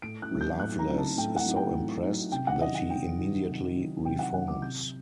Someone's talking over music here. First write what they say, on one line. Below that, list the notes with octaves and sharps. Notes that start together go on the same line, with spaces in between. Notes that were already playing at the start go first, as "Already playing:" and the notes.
Loveless is so impressed that he immediately reforms.
A2 D7
F#6
F#3 C4 D#4
G6
A2 F#6
A#5
F#3 C4 D#4
A5
A2 G5
F#5
F#3 C4 D#4
G5
A2
F#3 C4 D#4
C3 G5
F#5
D#3 F#3 D#5
F#5
C3 G5
D#3 F#3
C3
D#3 F#3
C3 G5
F#5
D#3 F#3 F#5
D6
C3 G6